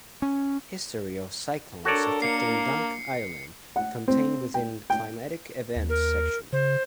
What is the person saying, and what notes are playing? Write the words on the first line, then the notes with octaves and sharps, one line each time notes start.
History of cyclones affecting Dunk Island contained within Climatic Events section.
C#4
D4 F#4 A4 A#4 C#5 D5
A#3 C7 C#7
F#5
C4
G5
G5
D#2
A#4
C#3 C5